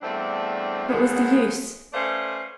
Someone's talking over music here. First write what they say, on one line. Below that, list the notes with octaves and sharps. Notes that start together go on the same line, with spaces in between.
What was the use?
E2 G2 A3 C4 D4 D5
B2 D#3 F3 F#3 G#3 B3
A3 C#4 B4 C5 D5 F5